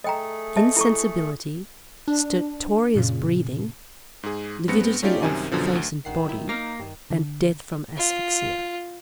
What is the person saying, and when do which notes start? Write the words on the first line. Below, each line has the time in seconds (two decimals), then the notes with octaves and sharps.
Insensibility, stertorous breathing, lividity of face and body, and death from asphyxia.
0.04 A3 G#4 D#5 G5 A#5
0.56 D#5 E5 A5
0.77 E4 A4 C#6
2.08 D4
2.95 F#2 A#2 C#3
4.23 G#2 G#4
4.68 G2 G#3 B3 C4 A#6 C#7
5.02 A3 C#4 D#4 F4 G4 D5
5.23 C2 F#2 C3 D#3 G#5
5.52 F#2 B2 D3 F3
5.75 D2
6.05 A#1 D#3 F#5 C7
6.25 F#3 E4
6.49 A#3 D#4 F6
6.80 G2 D#3
7.10 D3
7.97 F4